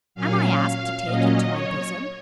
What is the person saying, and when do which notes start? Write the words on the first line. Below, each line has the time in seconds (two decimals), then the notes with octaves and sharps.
Am I asked to take him to my bosom?
0.15 A#2 F#3 C#4 F5
1.05 A#2 F#3 C#4 D#5
1.49 C#5